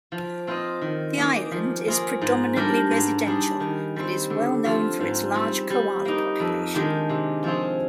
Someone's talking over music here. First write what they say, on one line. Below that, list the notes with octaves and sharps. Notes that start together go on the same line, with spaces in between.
The island is predominantly residential and is well known for its large koala population.
F3
C4 F4 C5 D#5
D#3
A#3 D#4 G#4 D5
F3
A#3 F4 G#4
G#2
G3 D4 G4 A#4
G#2
G3 D4 G#4
D#3
G3 C4
D3
F3 C4 F4
G#2
G3 C4
G3
A#3 D#4
F2
D#3 G#3 D4 G4
C3
F3 C4 F4 G#4